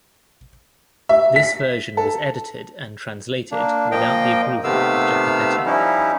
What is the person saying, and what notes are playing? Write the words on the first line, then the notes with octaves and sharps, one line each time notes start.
This version was edited and translated without the approval of Jacopetti.
E5
B6
A4
A#3 D4
A#2 F3 A#3 D#5 G5
C3 D#3 A3 B3 F5 E6
F3 G3 C#4 D#4 E4